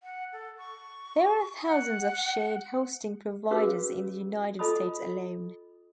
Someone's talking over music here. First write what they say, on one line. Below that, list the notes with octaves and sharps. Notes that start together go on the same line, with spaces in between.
There are thousands of shared hosting providers in the United States alone.
F#5
A4
C#6
F#5
C#4 F#4 G#4 B4 F5 E6
F4 A4 D#5 A5 B5 D#6